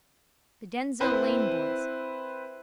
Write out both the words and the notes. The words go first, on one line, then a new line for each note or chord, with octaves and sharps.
The Denzille lane boys.
C4 E4 B4 C5